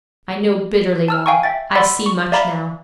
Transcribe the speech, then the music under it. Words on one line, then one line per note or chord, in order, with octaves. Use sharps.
I know bitterly well; I see much now.
A5 E6 F6
F5 G5 G#5 A#5 C#6
E5 G5 A6
D5 F#5 B5 C6 E6
C#6
D5 E5 F5 A#5 B5